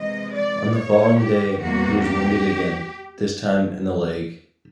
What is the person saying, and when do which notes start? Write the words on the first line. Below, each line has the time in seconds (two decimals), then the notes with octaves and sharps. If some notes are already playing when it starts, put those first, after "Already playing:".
On the following day, he was wounded again, this time in the leg.
Already playing: C3 E3 G#3 D#5
0.32 D5
0.76 C#5
1.17 G4
1.60 E2 C3 E3 G3 A#3 F#4
2.02 G4